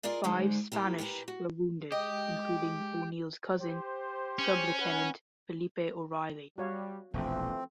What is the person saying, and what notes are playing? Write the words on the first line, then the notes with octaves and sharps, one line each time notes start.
Five Spanish were wounded, including O'Neill's cousin, Sublieutenant Felipe O'Reilly.
F4 G#4 A#4 D5 D#5
G#2 D3 G#3 D#4
A#3 E4 G4
A#2 G4 B4 C5 A#5
F#4
G#3 G4 D#5 G5
G4 C5
C#4
B4 F#5 G#5
G3 F#4 C#5 F5
E1 A#1 E3 F3 A3 C4